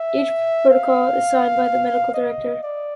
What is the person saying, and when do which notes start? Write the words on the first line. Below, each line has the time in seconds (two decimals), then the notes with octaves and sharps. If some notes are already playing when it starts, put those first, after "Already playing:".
Each protocol is signed by the medical director.
Already playing: E5
0.71 F5
2.14 D#5
2.63 D5